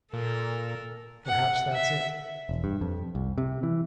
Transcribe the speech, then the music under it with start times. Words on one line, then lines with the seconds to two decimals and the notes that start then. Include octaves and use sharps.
Perhaps that's it.
0.13 A#2 A4 A#4
1.27 F#5
1.73 E5
2.49 E1
2.64 G2
2.81 F2
3.15 C2
3.38 C3
3.63 E3